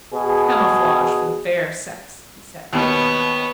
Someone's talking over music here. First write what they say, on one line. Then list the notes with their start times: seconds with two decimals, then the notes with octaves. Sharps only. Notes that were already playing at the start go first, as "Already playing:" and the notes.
"Camouflage for the fair sex," he said.
0.13 B2 G#4
2.73 D#2 B2 B3 C#5